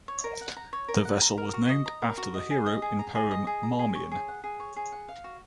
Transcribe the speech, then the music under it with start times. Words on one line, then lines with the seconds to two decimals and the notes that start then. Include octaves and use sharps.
The vessel was named after the hero in poem Marmion.
0.08 C#5
0.24 A#4
0.41 F#5
0.57 A#5
0.73 C#5
0.88 A#4
1.05 F#5
1.22 A#5
1.38 A#4
1.54 F#4
1.69 D#5
1.86 A#5
2.02 A#4
2.18 F#4
2.34 D#5
2.51 G#4
2.66 D#5
2.82 G#4
2.99 A#5
3.15 G#4
3.31 D#5
3.47 G#4
3.63 A#5
3.79 G#4
3.95 C#5
4.11 G#4
4.28 F#5
4.44 G#4
4.60 C#5
4.76 G#4
4.92 F#5
5.08 F5
5.24 F#4